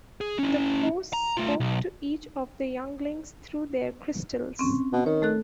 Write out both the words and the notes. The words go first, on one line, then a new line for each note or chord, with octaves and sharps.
The Force spoke to each of the younglings through their crystals.
G#4
C#4 E4
A#5
A3 F4
B1
C4 C#4
B2
D#3 C#5
A3 A4 F#6